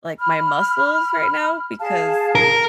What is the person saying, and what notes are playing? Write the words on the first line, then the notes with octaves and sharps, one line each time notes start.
like, my muscles right now because
B5 F6
G#4 F5 A5
A#4